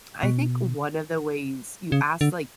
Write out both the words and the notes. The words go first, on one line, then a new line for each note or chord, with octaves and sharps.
I think one of the ways you ask, like,
B2
C#3
D3